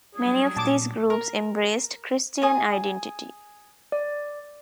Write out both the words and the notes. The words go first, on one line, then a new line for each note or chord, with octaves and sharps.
Many of these groups embraced Christian Identity.
F#3 G3 D4 G#4
A#2 A5 D6
A#4
G#4 G#5 D#6
D5